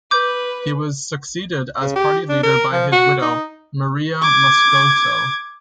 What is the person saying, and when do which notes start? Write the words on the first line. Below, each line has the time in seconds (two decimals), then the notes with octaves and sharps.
He was succeeded as party leader by his widow, Mireya Moscoso.
0.11 B4 D6 G6
1.81 C#3
1.96 G4
2.29 D4
2.43 A#4
2.72 F3
2.92 F#4
3.22 D#4
4.22 D6 G#6